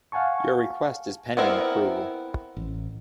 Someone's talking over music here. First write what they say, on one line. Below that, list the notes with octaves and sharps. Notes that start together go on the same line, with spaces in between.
Your request is pending approval.
F5 F#5 G#5 A5 C#6
B3 C4 E4 A#4
A1